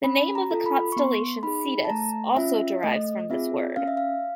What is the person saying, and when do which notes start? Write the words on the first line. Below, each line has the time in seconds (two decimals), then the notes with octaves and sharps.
The name of the constellation Cetus also derives from this word.
0.04 C#4 B5
0.35 A#5
0.51 F4 A4
0.66 B5
0.92 C#6
0.96 B3 C6
1.43 D#4 G#4 B5
1.85 A5
1.90 A3 A#5
2.37 C#4 F4 E5
2.83 A3 D#5
3.30 C4 F4 G#4 E5
3.76 C#4 F5
3.88 E5
3.97 F5